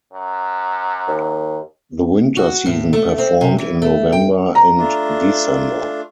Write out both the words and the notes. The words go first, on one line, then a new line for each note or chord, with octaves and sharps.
The winter season performed in November and December.
F#2
D#2
F#4
A2
A3
C4
C3
E3
A3
G5
A#5
A3 D4 F4